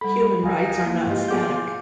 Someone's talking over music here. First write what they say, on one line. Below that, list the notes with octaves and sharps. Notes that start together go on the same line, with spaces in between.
Human Rights are not static.
G3 A4 B5
D2 D#4 F5 G#5
A#3 E4
G#2 F4 G4 B4 D#5
B3 G#4 F#5 G#5 D6 G6